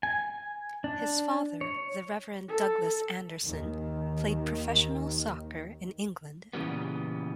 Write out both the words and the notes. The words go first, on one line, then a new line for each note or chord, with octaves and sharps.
His father, the Reverend Douglas Anderson, played professional soccer in England.
G#5
D4
C#5
A4
D#2 D#3
A#2 C#3 E3 G3 B3